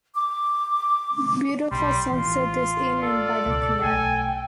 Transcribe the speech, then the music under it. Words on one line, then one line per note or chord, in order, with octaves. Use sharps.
Beautiful sunset this evening by the canal.
D6
B1 G3 C6
A1 E3 F4 C6
A4 D5
C#2 B2
B1 A3 G5 G#5